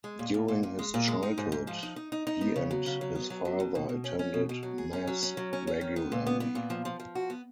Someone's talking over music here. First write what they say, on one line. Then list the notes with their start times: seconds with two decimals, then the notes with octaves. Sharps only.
During his childhood, he and his father attended Mass regularly.
0.04 G#3
0.19 A#2
0.34 A#2
0.48 A#2
0.63 A#2
0.79 G#3
0.94 A#2
1.08 G#3
1.23 D#4
1.38 G#2
1.52 G#2
1.67 F3
1.83 D#4
1.96 D#4
2.12 D#4
2.27 D#4
2.41 B3
2.56 C#3
2.71 F#3
2.86 C#3
3.01 F#3
3.15 B3
3.30 F#3
3.45 F#3
3.60 B2
3.75 B2
3.89 B2
4.04 C#4
4.19 C#4
4.34 B2
4.49 B2
4.63 F#3
4.78 G#4
4.93 C#4
5.07 F#3
5.23 C#4
5.37 F#3
5.53 C#4
5.67 C#4
5.81 D#3
5.96 B3
6.12 A#2
6.27 B3
6.40 B3
6.55 A#2
6.70 F3
6.85 F3
7.00 F3
7.15 F#4
7.30 B3